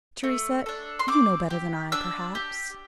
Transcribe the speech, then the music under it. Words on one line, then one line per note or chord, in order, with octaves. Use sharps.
Theresa, you know better than I, perhaps.
A3
D4 A4
C6
C4 D6
G4
D4 E6
G4